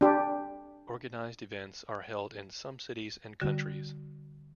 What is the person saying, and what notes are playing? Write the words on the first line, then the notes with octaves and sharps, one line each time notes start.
Organized events are held in some cities and countries.
D4 G4
D3 G3 F#4